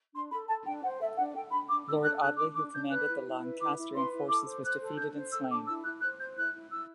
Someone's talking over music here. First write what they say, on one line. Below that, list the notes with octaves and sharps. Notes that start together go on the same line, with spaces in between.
Lord Audley, who commanded the Lancastrian forces was defeated and slain.
D4 C6
A4 B5
A4 A5
D4 G5
C5 F#5
A4 E5
D4 F#5
A4 G5
D4 B5
D4 D6
D4 E6
A4 F#6
D4 F#6
D4 D6
D4 D6
D4 G6
B4 F#6
E4
E4
B4
E4 D6
E4
B4 C6
E4
A4 D6
C5
C5 F#6
A4
D4 G6
C5
A4 E6
D4 D6
E4 E6
E4 F#6
C5 F#6
C5 G6
E4 F#6
E4
E4 E6